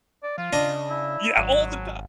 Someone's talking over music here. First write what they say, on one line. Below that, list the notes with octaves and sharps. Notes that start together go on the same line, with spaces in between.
Yeah, all the time.
D5
F3 F4
C#3 D4 D#5
E4
G#1 F#3